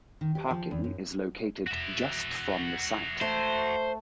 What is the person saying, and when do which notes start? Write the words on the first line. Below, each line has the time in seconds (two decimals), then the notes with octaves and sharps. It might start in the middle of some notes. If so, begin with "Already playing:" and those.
Parking is located just from the site.
0.21 D#3
0.35 G4
0.51 F3
0.71 E2
0.84 F#2
1.67 F#4 E5
3.21 A3 C5